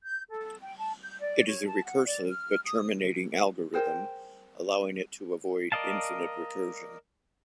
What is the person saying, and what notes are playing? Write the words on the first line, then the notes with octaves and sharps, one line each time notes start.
It is a recursive but terminating algorithm, allowing it to avoid infinite recursion.
G6
A4
G5
A5
G6
D5
C#5
A5
F#5
D5
F6
D#6
G#4 A#4 C5 G5
A#4 D5 D#5 F5 A5